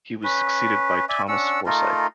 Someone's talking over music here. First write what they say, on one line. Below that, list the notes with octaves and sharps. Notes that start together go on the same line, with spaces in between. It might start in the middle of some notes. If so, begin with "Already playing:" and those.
He was succeeded by Thomas Forsaith.
C#4 B4
D5 E5 G#5
C#4 D4 F#5 E6
A3 D#4 F4 A#4